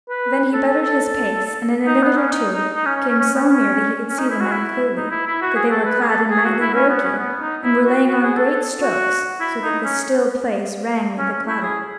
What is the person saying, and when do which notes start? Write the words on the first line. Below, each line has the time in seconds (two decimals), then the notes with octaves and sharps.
Then he bettered his pace, and in a minute or two came so near that he could see the men clearly, that they were clad in knightly war-gear, and were laying on great strokes so that the still place rang with the clatter.
0.09 B4
0.53 A4
0.68 A4
0.82 A4
1.87 D#4
2.03 B3
2.17 C#4
2.31 D#4
2.53 D#4
2.75 D#4
2.85 C#4
2.96 C#4
3.08 C#4
3.20 C#4
3.34 B3
3.49 C#4
4.09 C#4
4.18 D#4
4.30 E4
4.41 F#4
4.52 E4
4.96 D#4
5.11 E4
5.27 E4
5.42 F#4
5.56 G#4
5.71 A4
5.85 B4
6.03 G#4
6.08 A4
6.30 G#4
6.45 F#4
6.60 E4
6.74 C#4
6.90 B3
7.04 C#4
7.18 B3
7.40 D#4
7.63 E4
7.86 F#4
8.07 F#4
8.23 G#4
8.36 A4
8.52 A4
8.81 F#4
9.40 E4
9.63 D#4
9.84 C#4
11.18 C#4
11.32 C#4
11.48 E4
11.63 G#4